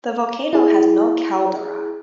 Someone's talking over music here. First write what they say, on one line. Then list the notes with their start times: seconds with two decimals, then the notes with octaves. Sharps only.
The volcano has no caldera.
0.53 E4 G#4